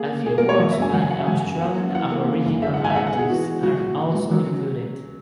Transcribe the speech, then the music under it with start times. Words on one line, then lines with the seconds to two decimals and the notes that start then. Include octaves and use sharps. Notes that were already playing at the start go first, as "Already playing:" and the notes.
A few works by Australian Aboriginal artists are also included.
Already playing: A#3 G#4
0.09 C#4
0.26 B2 G#4
0.38 A#4
0.43 A#3
0.49 C#5
0.60 F#3 C#5
0.71 E5
0.77 F#2 G#5
0.93 F#3 F#5
1.02 G#5
1.10 C#4 F#5
1.19 E5
1.27 F#3 G#5
1.44 F#2
1.61 A#3 F#5
1.78 C#4
1.95 E3 F#5
2.12 A#3
2.28 C#3
2.45 F#1
2.62 G#3 E5
2.74 F#5
2.79 G#2
2.84 G#5
2.90 E5
2.96 G#3 F#5
3.07 F#5
3.13 B3
3.19 G#4
3.30 E3 F#4
3.47 G#3
3.63 F#3 F#4
3.80 A#1
3.98 D#3
4.15 F#3
4.31 F#3
4.48 C#4